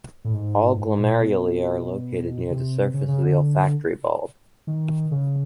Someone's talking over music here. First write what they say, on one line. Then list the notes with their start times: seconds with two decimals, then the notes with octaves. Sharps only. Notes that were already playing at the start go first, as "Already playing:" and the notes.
All glomeruli are located near the surface of the olfactory bulb.
0.25 A2
0.34 G#2
0.77 G#2
0.99 A#2
1.20 B2
2.50 C3
2.94 C#3
3.08 C#3
3.23 D3
4.67 D#3
5.11 C#3